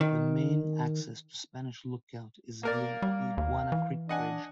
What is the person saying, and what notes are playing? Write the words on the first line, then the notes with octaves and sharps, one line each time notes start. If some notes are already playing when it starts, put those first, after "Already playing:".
The main access to Spanish Lookout is via the Iguana Creek Bridge.
D#3
A#3 A#4 D5 F5
G3
D#2 F5
E3
D4 D#5 F#5 G#5